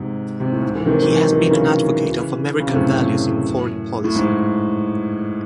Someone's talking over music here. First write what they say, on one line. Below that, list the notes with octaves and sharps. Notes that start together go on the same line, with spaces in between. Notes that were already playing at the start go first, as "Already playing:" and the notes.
He has been an advocate of American values in foreign policy.
Already playing: G#2 C3
C3
A2
G#2
E3
C3 D#3
E3
D#3 F#3
E3
F#3
C#3 E3
C#3
C3
F#2 A2
A2
G#2